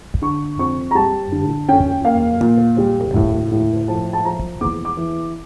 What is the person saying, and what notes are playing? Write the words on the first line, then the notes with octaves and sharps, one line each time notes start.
Gates later became a successful interior decorator.
D3 C#6
F2 C#6
A#5
G3 A5
D3
C#4 G5
A#3 F5
A#2
G3
A2
A2
F3 A5
A5
F3 A#5
E2 D6
D6
E3